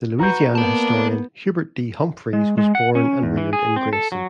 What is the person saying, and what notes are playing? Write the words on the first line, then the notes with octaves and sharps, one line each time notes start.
The Louisiana historian Hubert D. Humphreys was born and reared in Grayson.
F#4 B4 A#5 G6
A#3 B3 D5 A5
G#3
G#3
F#5
C#4
E2
E3
G#4
C4
A4
F#3